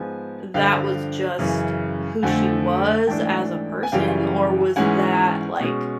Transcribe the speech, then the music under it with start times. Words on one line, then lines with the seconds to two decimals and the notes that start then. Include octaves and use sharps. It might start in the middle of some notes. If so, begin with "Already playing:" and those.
that was just who she was as a person or was that, like,
Already playing: G#2 F3 G#3 B3 G#5
0.54 G2 D3 F3 F5 G5
1.39 F#2 C#3 E3
2.23 F2 D3 F3 A3 F#5 G#5
3.07 G#2 E3 A3 D4 G5 A5
3.83 G#5
3.92 F#2 C#3 E3 G3 F5 G5
4.76 G#2 E3 G#3 C#4 F#5 G#5
5.60 B2 G#3 C#4